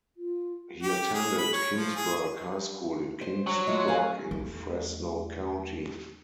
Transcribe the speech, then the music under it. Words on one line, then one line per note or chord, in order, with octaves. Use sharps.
He attended Kingsburg High School in Kingsburg in Fresno County.
F4
G4
G#4
B5
C#5
F3
G#4
C5
F#3
G#3 A3 F4
F5 G#5
E2 A3